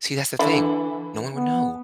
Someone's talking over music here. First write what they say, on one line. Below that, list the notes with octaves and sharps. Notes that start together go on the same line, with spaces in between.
See, that's the thing. No one would know.
D3 E3 E4
B3